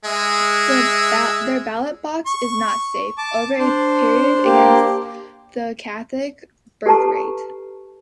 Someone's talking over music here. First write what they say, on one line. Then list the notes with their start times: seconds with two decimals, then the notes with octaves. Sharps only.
Their ballot box is not safe over a period against the Catholic birth-rate.
0.05 G#3 E5
2.26 C#6
3.18 A5 D6
3.59 D4 C5
4.44 A#3 G4
6.86 G4 A4 B4 A5 A#5 C#6